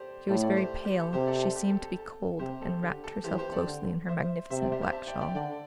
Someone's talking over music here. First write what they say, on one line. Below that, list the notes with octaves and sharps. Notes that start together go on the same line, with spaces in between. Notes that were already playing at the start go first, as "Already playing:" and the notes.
She was very pale, she seemed to be cold, and wrapped herself closely in her magnificent black shawl.
Already playing: G4 A4 C5 D5
A2 A4 D5
A4 D5
G4 C5
G4
A4
C3 G4 C5
A4 D5
A4
G4
A4
A4
A4
C3 G4 C5
A4
D3 G4
A4
E3 G4 C5
G4 C5
A4 D5
D3
C5 E5
C3 C5 E5
D5 G5
G4 C5
G4 C5
E5 A5
D5 G5
D5 G5
D3 D5 G5